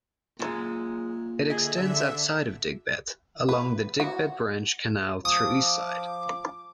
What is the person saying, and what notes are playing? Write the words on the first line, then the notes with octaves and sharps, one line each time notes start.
It extends outside of Digbeth, along the Digbeth Branch Canal through Eastside.
F#2 A#2 G#3
D3 G#4 D#5 E5
B4
F#4
F3 D6 D#6